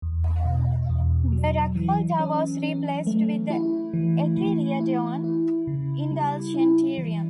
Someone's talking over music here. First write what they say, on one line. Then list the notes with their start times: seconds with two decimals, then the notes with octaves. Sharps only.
The "Raccolta" was replaced with the "Enchiridion Indulgentiarum".
0.02 E2
0.45 B2
0.90 E2
1.32 F#3
1.75 E3
2.20 C#4
2.63 C#4
3.07 A3
3.50 E4
3.93 E3
4.37 E3
4.80 E4
5.24 E4
5.67 C#3
6.11 G3
6.54 E4
6.98 E3